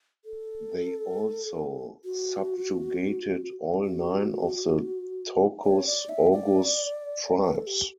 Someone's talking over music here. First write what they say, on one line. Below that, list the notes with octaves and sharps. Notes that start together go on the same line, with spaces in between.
They also subjugated all nine of the Tokuz Oguz tribes.
A4
F#4
F#4
C#5
D5
E5
D5
B4
A4
G4